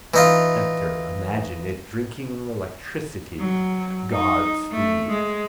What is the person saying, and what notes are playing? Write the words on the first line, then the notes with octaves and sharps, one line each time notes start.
Nectar imagine it drinking electricity: gods' food.
E3 D#4 F4
F#3
D#4
A3
G#3